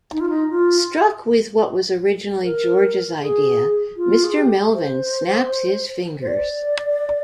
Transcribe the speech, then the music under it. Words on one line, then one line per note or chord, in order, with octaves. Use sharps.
Struck with what was originally George's idea, Mr. Melvin snaps his fingers.
D#4
F4
D#4
F4
A#4
G#4
F4
G#4
G4
C5
C5
D5